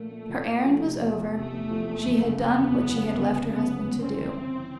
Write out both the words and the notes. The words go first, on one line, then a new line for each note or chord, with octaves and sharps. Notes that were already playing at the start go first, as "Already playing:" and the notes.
Her errand was over; she had done what she had left her husband to do.
Already playing: A#2 F3 A3 A#3
A#3
A#2
A#3
F3
C3
E2
E2
C3 A3
E2
F3
E2
F#1
C#3
C#3 B3
E2
F#3
C#3
G1
C#3
C#3 B3
F#2
G1
C4 C#4
E3
E3
E3